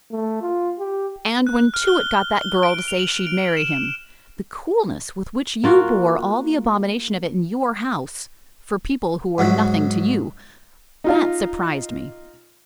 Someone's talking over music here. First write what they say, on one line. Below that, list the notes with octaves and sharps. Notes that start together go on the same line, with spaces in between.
"And when Tewett got that girl to say she'd marry him, the coolness with which you bore all the abomination of it in your house,--for people who were nothing to you;--that surprised me!"
A3
F4
G4
F#6
F6
G7
G7
D7
F7
F#7
D7
E7
A#3 F4 F#4
G#2 F#3 F#4 E5
D#4 F4 F5